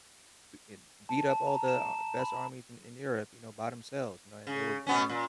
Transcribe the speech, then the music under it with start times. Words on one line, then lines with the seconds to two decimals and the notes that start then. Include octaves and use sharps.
i en beat up all the best armies in in Europe, you know, by themselves, you know, and they were being,
1.09 A5
1.30 A5
1.47 A#5
1.68 E7
2.19 B5
4.47 C#3
4.87 B2 B3 C#4
5.09 A#2